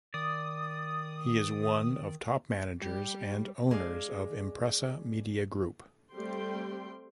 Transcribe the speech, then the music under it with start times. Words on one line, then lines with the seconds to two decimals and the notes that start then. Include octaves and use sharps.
He is one of top managers and owners of Impresa media group.
0.14 D#3 D5 D#6
2.80 G3 G4
3.71 G#3 D4 F5
6.14 G3 A3 C4 G4 G5 C6